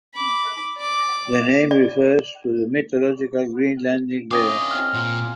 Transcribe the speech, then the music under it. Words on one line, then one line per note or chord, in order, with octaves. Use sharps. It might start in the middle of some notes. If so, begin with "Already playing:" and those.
The name refers to the mythological Greenlandic bear.
B5 D6
D5 D6
D5
C4 C#4 E4 A#4 F5 D6 D#6 A#6
D#5
C4 G#4 F#5 F6
A#2 F4 F#5 A#5